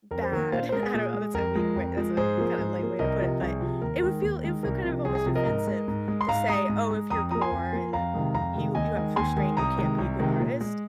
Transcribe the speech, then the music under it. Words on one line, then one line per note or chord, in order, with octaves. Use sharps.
bad, I don't know, that's a weak way that's a kinda lame way to put it, but it would feel it would feel kind of almost offensive to say, "Oh, if you're poor and you you have restraint, you can't be a good artist,"
F2 A#4
C5
D#3 A#3 A#4
A#2 C5 F5
C5
G#3 A#4
G#4
A#2
G#3
F2 A#4
F3 G#3
F2
F3 G#3
G#2 G#4 C5
F3 A#3
G#2
F3 A#3
C2 A#4 D#5
C3 F3
C2 G#4
C3 F3
D#2 A#4
D#3 G#3
D#2
D#3 G#3
C2 A#4
C3 F3
C2 G#4
G#4
C3 F3
A#4 D#5
G#2
G#3
G#2
G#3
C6
G#2 F5 A#5
G#3 A#5 D#6
G#2
G#3
F2 A#5 D#6
F3 A#3 A#5 D#6
G#5 C6
F2
F3 A#3
F2 F5 A#5
C3 D#3 G#3
F2 F5 A#5
C3 D#3 G#3
D#2 D#5 G#5
D#3 G#3
D#2 G#5 C6
D#3 G#3
C2 A#5 D#6
C3 D#3 G#3
C2
C3 D#3 G#3
A#2
G#3